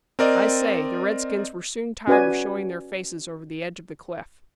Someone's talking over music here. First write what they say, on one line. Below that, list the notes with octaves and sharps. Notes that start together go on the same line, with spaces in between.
I say, the redskins were soon tired of showing their faces over the edge of the cliff.
C4 A#4 D5 D#5
C#4 F#4 B4 D5 G#5